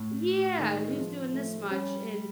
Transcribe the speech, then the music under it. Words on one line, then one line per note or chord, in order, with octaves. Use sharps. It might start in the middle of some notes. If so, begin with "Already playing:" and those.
Yeah, and who's doing this much, and
Already playing: A2
D#3 G#3
E3
F3
A3
G3 C#4